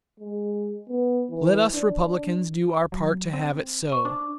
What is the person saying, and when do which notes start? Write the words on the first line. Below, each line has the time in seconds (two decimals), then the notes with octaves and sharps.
Let us Republicans do our part to have it so.
0.20 G#3
0.89 B3
1.30 E3
1.74 D4
2.92 F#3
3.33 C4
3.92 C5 C#6
4.05 D4 D6